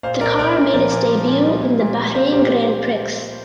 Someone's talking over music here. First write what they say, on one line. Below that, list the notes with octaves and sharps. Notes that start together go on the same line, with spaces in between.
The car made its debut in the Bahrain Grand Prix.
A#2 C5 F5
A#2 A#4 D5
A#2 A#4 D5
A#2
F3 A#4 D5
A#2
F3
A#2
G3
A#2
A#2
A#3
A#2 C5 F5
A#2 G4